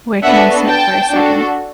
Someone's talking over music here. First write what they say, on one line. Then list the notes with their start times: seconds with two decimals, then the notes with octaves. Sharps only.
Where can I sit for a second?
0.23 B3 D4 F#4 A4 E5 F#5
0.67 G5 A5
1.12 D4 F#4 A4